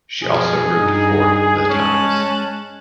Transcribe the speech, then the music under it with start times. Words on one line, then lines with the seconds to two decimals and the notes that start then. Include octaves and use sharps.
She also wrote for "The Times".
0.24 B2 F3 G#4
0.78 G2 D#4
1.69 G#3 C#4 A5 F#6